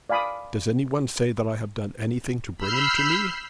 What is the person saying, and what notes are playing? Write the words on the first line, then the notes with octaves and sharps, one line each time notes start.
'Does any one say that I have done anything to bring him to me?
D5 F5 G#5 B5 D6 D#6
B5 E6 F6 G6 C7